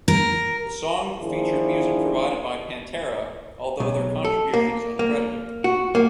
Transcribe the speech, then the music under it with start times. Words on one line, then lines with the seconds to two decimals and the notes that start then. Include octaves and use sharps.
The song featured music provided by Pantera, although their contribution is uncredited.
0.08 A#4
1.19 D#3 F3 A#3 D4 E4 G#4
3.80 B1
4.25 A4
4.54 A#3
4.99 A#3
5.64 F#4
5.95 A#3